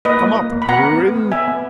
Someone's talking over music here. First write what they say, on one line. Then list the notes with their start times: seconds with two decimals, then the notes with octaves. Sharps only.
Come up, Bruin!
0.05 A#3 B4 D#5
0.21 A#3
0.37 A#3
0.52 A#3
0.62 B5
0.69 B3 F#5 A#5
0.84 B3
1.00 B3
1.16 B3
1.31 B3 E5 G#5
1.48 B3